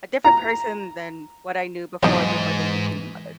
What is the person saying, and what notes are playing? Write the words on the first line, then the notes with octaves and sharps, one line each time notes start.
a different person than what I knew before, before they became a mother.
A#5
B1 G#2 E3 F3 D#4 D#5